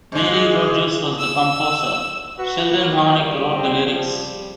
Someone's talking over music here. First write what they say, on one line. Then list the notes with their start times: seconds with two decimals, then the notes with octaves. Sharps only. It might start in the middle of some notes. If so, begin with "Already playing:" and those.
Mary Rodgers was the composer; Sheldon Harnick wrote the lyrics.
0.12 G#2 G#3
1.19 E6
2.39 F#4 B4
2.71 A#3
3.19 G3
3.55 C4
3.86 F3 G3